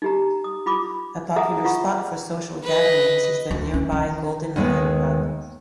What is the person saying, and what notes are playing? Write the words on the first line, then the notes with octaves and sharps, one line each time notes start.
A popular spot for social gatherings is the nearby Golden Lion Pub.
D#4 G4 A#5
D#6
F4 B5 D6
G#4 E5 F#5 A#5 D#6
F4 F#5 A#5 C#6
B4 D#5
D2
C#4
E3
D#2 D#3 G#3 B3